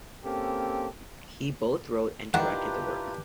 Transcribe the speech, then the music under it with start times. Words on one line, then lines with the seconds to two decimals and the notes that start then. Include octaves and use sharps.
He both wrote and directed the work.
0.24 A#3 C4 C#4 G4 A4
2.34 D#3 D4 E4 F4 G4 B4 F#5 A#5